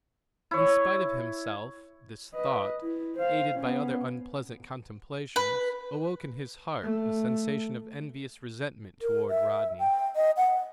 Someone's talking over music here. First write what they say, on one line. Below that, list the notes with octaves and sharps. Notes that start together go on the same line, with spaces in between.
In spite of himself, this thought, aided by other unpleasant contemplations, awoke in his heart a sensation of envious resentment toward Rodney.
E4 C#5
B4 D#5
E4
C5 F5
B3 C#4
B4
A3
A#4
E5
G5
D#5
F#5